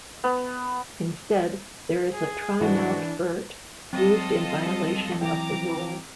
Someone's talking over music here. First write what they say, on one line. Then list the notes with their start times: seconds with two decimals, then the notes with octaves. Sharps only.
Instead, there is a trimount vert used in violation of the rule.
0.24 B3
2.14 G#4
2.61 G#2 E3 D4 F#4
3.93 F#3 C4 F4 A4 D#5
4.66 G3
5.21 E3 E4 G5 A#5 D6